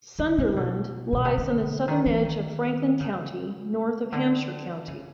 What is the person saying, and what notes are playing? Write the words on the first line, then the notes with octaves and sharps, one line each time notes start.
Sunderland lies on the southern edge of Franklin County, north of Hampshire County.
D3
C#3
B2
B2
C3
D3
D#3
E3
D#3
C#3
D3
C#3